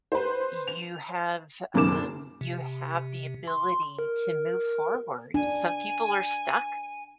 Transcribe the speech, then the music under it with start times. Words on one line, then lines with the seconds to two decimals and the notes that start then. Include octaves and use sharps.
You have, um, you have the ability to move forward, some people are stuck,
0.12 B4 C5
0.68 F7
1.74 F#1 F#2 B2 D#3 D6 E7
2.41 C3
3.48 C6
3.99 A#4
5.34 D4 G#5